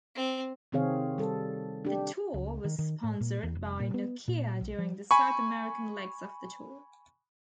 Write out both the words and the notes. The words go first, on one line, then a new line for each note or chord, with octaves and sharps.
The tour was sponsored by Nokia during the South American legs of the tour.
C4
C3 D#3 C4 G#4 C#5 F5
G3 A4
D4 G4
C#2
D#3
D#3
A2
A#2
E2
F1
A#2
B3
A#2
B1
F3
G#5 B5 C#6